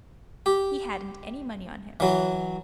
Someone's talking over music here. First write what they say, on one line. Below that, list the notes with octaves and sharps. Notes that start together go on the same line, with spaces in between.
He hadn't any money on him.
G4
E3 F#3